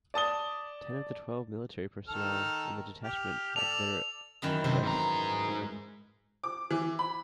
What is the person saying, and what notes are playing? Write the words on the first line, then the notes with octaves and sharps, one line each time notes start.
Ten of the twelve military personnel in the detachment had their arrest decreed.
D5 A5 D#6 G7
D#3 A4 F6
G4 F6
A4 D5 F7
F#2 D#3 E3
C3 C5
G#2 A#5
D6
E3
B5